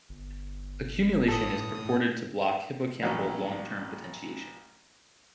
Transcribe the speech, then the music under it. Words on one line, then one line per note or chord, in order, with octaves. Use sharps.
Accumulation is purported to block hippocampal long-term potentiation.
G1
A2 A4 D#6
A1 A#2 F#3